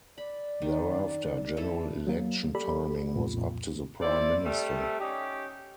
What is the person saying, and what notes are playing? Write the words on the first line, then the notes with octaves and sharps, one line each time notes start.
Thereafter, general election timing was up to the Prime Minister.
D5 B5
D#3
E3 A4
F#3 A#3
G4 A4 D5 B5
C2 F2 A#2
E4 A4 C5 D5
C3 G3 A3
C#4 D#4 G4